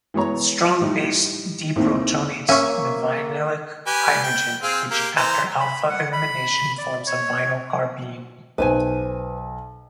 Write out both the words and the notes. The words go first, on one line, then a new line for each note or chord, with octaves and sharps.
The strong base deprotonates the vinylic hydrogen, which after alpha-elimination forms a vinyl carbene.
E3 G#3 B3 C#5 A#5
A2 G3 D#4
D#2 A2 D#3 C4
A#3 C#4 E5 C#6
G4 B4 G#5
G5
C4 G#4 F5
A#3 G4
E3 C5 A#5
B5
F#5
B5
D5
C#5
B1 B4 C5 G#5